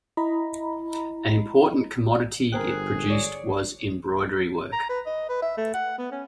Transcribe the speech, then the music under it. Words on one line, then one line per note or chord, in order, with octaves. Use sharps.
An important commodity it produced was embroidery work.
E4 D#5 A#5 B5
G1 G#4 A#4 C5 G5 F#6
C#5 D5
A#5
B4
D#5
B4
E5
A3
F#5
B3
C#4